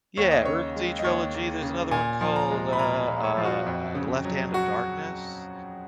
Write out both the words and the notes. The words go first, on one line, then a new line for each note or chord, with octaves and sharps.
Yeah, Earthsea trilogy, there's another one called, uh uh uh, The Left Hand Of Darkness,
D#2 C#5
D#5
C#3 C#5
G#3
D#5
D#2 C#5
D#2
C#3
A#2 G#5
F3
A#5
G#3
B5
A#2 A#5
A#2
C#5
F3 F4
F#4
F2
C#3
F#3
F#4